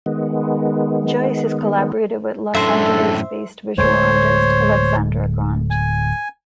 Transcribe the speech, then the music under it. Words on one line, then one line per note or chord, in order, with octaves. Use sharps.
Joyce has collaborated with Los Angeles-based visual artist Alexandra Grant.
D#3 G#3 B3
F#2 A2 D4 A4 C5 E5
D1 G#3 A3 C5 C#5
G#5